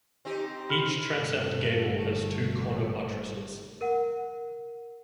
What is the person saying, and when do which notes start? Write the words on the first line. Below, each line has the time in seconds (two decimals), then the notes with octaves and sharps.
Each transept gable has two corner buttresses.
0.25 C4 D#4 G4
0.69 B5 F6
1.10 G1 A3
3.81 A#4 F#5